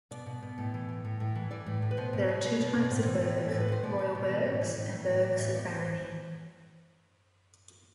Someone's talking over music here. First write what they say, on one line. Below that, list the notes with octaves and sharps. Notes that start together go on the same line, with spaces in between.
There are two types of burgh: royal burghs and burghs of barony.
B2 D5
B2
B2
A2
E3
A2
A2
A2
E3
E3 D5
A2
A2
B4
B2 C5
B2
B2
B2 B4
B2
B2
D5
A2 C5
E3
A2
E3
A2 A4
B4
A2 C5
B2 D5
B2
B2
E3
A2
E3
A2
E3
A2
E3 D5
A2 E5
A2 D5
E3 C5